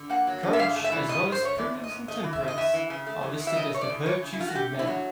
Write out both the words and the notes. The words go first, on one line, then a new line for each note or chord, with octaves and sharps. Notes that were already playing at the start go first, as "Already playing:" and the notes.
Courage as well as prudence and temperance are listed as the virtues of men.
Already playing: D3
A#3 F#5
F#3
D3
E5
G#2 F5
A3
E5
E3
G#2 D#5
G#2
C5
A3 C#5
E3 D5
G#2
D#5
G#2
A3 D#5
E3
E5
G#2
D#5
E2 E5
E3
C#3
A3
E2
E3
E5
C#3 D#5
A3 C#5
D5
E2
E3 C#5
C#3
E4
A3 F4
F#4
D3 G4
A3
E4
F#3